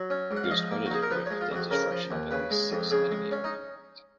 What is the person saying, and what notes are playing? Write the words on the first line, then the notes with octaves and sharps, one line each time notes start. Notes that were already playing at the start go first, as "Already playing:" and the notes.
He was credited with the destruction of at least six enemy aircraft.
Already playing: F#3
C#4
G#2
F#5
F5
F3 D#5
A#3
F#4
D#4 G#4
A#4
F3 B4
C#5
G#3
F4
F2 F#4
C#3 A#4
F3
D#2
C#3 B4
G#3
F2
C#3 G#4
G#3
C#4
D#4